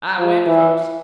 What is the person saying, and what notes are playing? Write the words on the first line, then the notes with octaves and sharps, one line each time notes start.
I went first.
F3
E3